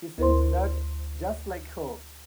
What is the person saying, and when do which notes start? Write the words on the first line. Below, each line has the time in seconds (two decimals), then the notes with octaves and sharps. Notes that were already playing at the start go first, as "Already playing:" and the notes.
Isn't that just like her?
0.18 D2 E4 A#4 C5 C6